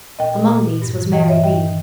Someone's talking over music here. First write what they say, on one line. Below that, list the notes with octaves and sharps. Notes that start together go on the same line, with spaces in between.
Among these was Mary Read.
A#2 D#5 G5
A#2
A#2
A#2
G2
E3
E3 D#5 G5
G2 C#5 E5
G2 D#5 G5
D#3